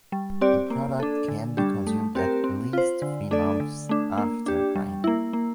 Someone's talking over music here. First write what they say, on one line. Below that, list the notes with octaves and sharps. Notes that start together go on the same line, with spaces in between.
The product can be consumed at least three months after grinding.
G3
C4 G4 D5
A#3
D4 A4
D3
G3 D4 G4
A3
C4 G4 A#4
C4
F4 C5
D3
A3 D4 A4 D5
D3
A3 D4
A#3
D4 G4
G3
A#3 E4
A#3